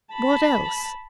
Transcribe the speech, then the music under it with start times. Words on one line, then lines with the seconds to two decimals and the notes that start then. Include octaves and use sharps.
"What else?"
0.14 A5 B5